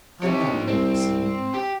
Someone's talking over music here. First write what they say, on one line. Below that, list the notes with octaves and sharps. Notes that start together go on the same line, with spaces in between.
'I'm not nervous any more.
C3 D#4 C#5
A#1
C2 C4
G4